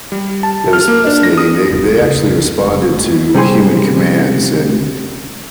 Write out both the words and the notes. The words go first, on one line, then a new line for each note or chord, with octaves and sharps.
that was fascinating. They they actually responded to human commands, and
G3
A5
F6
A#3
D4
A#6
D#6
E1 B1
F1 C#2
F1
C#4
C3 G3 C#4 G#4 G#5 C6